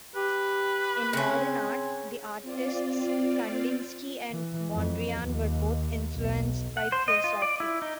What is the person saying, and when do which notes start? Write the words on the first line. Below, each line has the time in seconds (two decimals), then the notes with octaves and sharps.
In Modern Art, the artists Kandinsky and Mondriaan were both influenced by theosophy.
0.15 G4 B4
1.13 C#3 C4 C#4
2.42 C4 F4 D5
4.31 E3
4.72 F2
5.22 D#2
6.14 B1
6.77 F#5
6.92 C5
7.08 D#5
7.24 F4
7.42 D5
7.60 E4
7.82 D#4